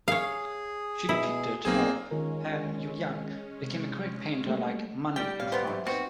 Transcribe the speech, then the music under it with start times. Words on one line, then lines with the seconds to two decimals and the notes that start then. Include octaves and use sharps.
She depicted how Pan Yuliang became a great painter like Manet in France.
0.08 G#4 C#5 F5
1.09 B2 E4
1.65 B1 A#3 C4 G#4
2.11 D#3 G#3 C#4 F4 A#4
3.62 C3
4.47 G3 A3 A#3
5.16 G3 G4 G5
5.40 A2 C#4 C#5 F5
5.52 D2 B3 B4 C5
5.67 G#2 E3 F#3
5.87 B3 C4 D#4 F#4